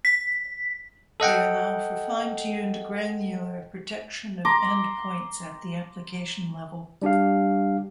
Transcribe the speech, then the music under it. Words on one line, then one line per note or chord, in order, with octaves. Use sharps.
They allow for fine-tuned, granular protection of end points at the application level.
B6
A4 D#5 F#5 G5
A#5 C6 D6
G3 D4 G4 F5